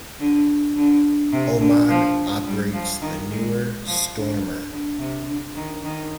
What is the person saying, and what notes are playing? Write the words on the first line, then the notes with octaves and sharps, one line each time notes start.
Oman operates the newer Stormer.
D3
D3
C3
D3
F3
G3
F3
D#3
G#3
F3
D3
D3
C3
D3
D#3
D#3